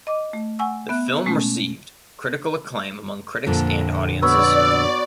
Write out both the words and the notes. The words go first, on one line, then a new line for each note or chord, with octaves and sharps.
The film received critical acclaim among critics and audiences.
D#5 D6
A3
F#5 G#5 C#6 E6
B3 E5 F#6
B2 G#3 A3 C#4
F2 A#2 D3
B3 F#4 C#5 D5 E6